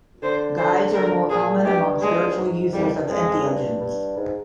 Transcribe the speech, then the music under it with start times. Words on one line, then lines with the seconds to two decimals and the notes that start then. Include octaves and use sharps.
Guides are more common among spiritual users of entheogens.
0.22 D3 C5
0.58 D3 C5
0.94 D3 A#4
1.30 A#2 G#4
1.65 G2 G4
2.02 G2 G#3
2.38 G#2
2.73 F2 G3
2.92 G2
3.09 F2 G#3
3.45 G2
3.81 G2
4.17 G#2